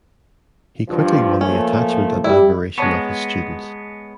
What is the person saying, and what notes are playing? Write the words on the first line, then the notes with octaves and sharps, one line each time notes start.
He quickly won the attachment and admiration of his students.
G2 F3
F3 A3 A#3 C#4
G3 E4
G#3 B3 C#5 A5 C#6